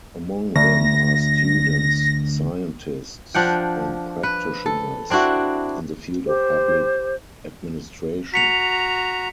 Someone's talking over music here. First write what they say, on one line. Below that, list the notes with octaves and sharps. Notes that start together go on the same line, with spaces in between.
Among them are students, scientists and practitioners in the field of public administration.
D2 A#6
F3 D4 F#5 G5
B4
A4
C4 D4 E4 F#4
G4 C5
F#4 A#5 B6 C#7 F7